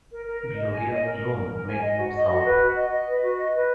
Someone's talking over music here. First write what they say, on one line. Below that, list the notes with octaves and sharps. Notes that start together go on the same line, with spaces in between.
Gloria alone made no sound.
A#4
A#4
A#4
D#5
G#5
D#5
A#4
A#4
A#4
A#4
G#5
D#5
F#4
D#5
F#4
B4
F#4
D#5
D#5
B4
F#4
D#5
B4